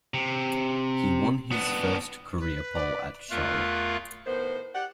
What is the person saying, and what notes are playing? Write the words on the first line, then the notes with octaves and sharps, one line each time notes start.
He won his first career pole at Charlotte.
C3
B3 D4
B4
D5
E2 A3 F4 A#4 F5 F#6
A2 D#3 B3 C5
G4 D5 F#5